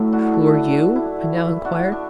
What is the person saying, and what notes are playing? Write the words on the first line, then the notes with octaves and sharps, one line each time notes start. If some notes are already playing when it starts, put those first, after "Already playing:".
"Who are you?" I now inquired.
Already playing: A2 F#3 A3 E4
D4 F#4
E4 A4
D4
E4
E4
D4 F#4
D4